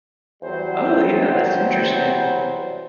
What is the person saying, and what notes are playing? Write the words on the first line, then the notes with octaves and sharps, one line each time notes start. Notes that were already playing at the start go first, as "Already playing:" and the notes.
Oh, yeah, that's interesting.
E2 F#3 G3 C5